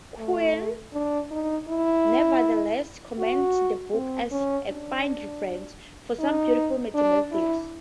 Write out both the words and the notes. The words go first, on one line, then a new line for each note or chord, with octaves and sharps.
Quinn nevertheless commends the book as "a fine reference" for some beautiful mathematics.
A3
D4
D#4
E4
F#4
C4
C#4
D4
D#4
D4
E4